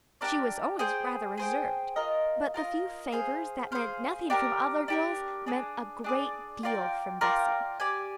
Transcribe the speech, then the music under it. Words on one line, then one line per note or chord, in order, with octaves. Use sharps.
She was always rather reserved, but the few favours that meant nothing from other girls meant a great deal from Bessy.
D4 G4 A#4 D5
G#4 C5 G5
G#4 C5 G5
F4 A#4 D#5
F4 A#4 D#5
G#4 C5 F5
G#4 C5 F5
D4 G4 A#4
D4 G4 A#4
D4 G#4 D5
D4 G#4 D5
F4 A#4 D5 G5
F4 A#4 D5 G5
G4 D5 G#5